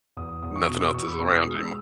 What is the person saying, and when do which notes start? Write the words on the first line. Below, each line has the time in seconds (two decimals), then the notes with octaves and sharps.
nothing else is around anymore.
0.17 E2 D#6
0.42 E2 D#6
0.56 C#6
0.68 B2 D#6
0.81 E6
0.94 E2 C#6
1.07 B5
1.20 B2 C#6
1.37 D#6
1.46 G#3
1.55 E6